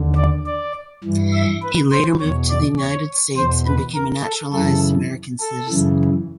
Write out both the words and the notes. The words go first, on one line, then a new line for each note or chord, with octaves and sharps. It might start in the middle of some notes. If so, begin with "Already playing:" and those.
He later moved to the United States, and became a naturalized American citizen.
Already playing: D#2 D3
D5
D5
G2 E3
E5
B4
C5
E2 B2 C#5
D5
C#5
E2 B2 C5
B4
A#4
A4
F#2 C#3 E3 A4
A4
F#2 C#3 E3